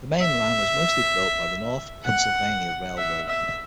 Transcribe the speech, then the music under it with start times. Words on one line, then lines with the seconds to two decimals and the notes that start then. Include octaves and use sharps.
The Main Line was mostly built by the North Pennsylvania Railroad.
0.22 E5
2.06 F#5
2.98 E5
3.29 E5